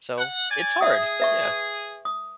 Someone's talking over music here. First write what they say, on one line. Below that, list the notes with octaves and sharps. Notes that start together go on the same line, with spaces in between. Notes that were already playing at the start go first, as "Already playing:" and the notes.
So, it's hard! Yeah.
F#5
D5 G#5
G#4 E5 D#6
B4 E5 C#6
D#6